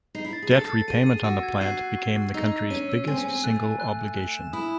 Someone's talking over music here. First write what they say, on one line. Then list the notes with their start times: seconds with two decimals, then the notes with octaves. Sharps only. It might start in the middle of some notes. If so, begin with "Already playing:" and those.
Debt repayment on the plant became the country's biggest single obligation.
0.15 D#4 C7
0.25 E4
0.33 A6
0.42 G#4
0.51 A4 A6
0.70 A6
0.88 G#4 D#7
1.06 D#7
1.24 F#4 E6
1.43 G#6
1.61 F#4 C7
1.79 F#6
1.98 C#6
2.16 C#6
2.34 D#4 E6
2.52 E6
2.70 C#4 D#7
2.89 E6
3.07 C4 G#5
3.18 C#4
3.25 C4 G#5
3.44 A3 F#6
3.62 G#5
3.80 F#6
3.99 F#6
4.17 F#6
4.35 E7
4.53 E4 D#6